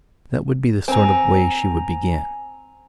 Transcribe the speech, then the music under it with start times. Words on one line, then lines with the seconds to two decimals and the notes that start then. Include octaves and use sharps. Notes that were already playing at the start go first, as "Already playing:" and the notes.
That would be the sort of way she would begin.
0.88 C4 G#5 A#5